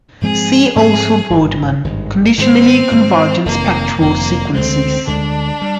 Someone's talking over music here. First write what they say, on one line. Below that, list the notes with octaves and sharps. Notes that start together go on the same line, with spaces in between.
See also Boardman, Conditionally Convergent Spectral Sequences.
G#2 F3 G#3 C4 G#4
G#2 F3 G#3 C4 G#4
G#1 G2 D#3
G#1 G2 D#3
G#2 D#3 G#3 C4
G#2 D#3 G#3
F1 F2 D#3 A#3
F1 F2 D#3 A#3
D2 D3 G#3 C4
D2 D3 G#3 D4
G3